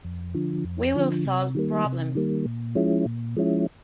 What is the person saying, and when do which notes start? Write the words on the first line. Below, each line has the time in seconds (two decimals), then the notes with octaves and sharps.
We will solve problems.
0.05 F2
0.35 D3 F3
0.64 F2
0.95 D3 F3
1.26 C3
1.55 D#3 G3 A#3
1.86 C3
2.15 D#3 G3 A#3
2.46 A#2
2.75 F3 G#3 C#4 E4
3.05 A#2
3.37 F3 G#3 C#4 E4